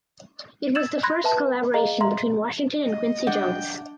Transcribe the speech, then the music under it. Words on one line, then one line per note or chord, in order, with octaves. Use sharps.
It was the first collaboration between Washington and Quincy Jones.
E6 G#6 A6 E7 F#7
B5 C6 F#6 G#6 A#6
B4 E5 A5
G#4 D#5 F5 A#5
E5 A#5 C6
D#5
D4 F#5 G5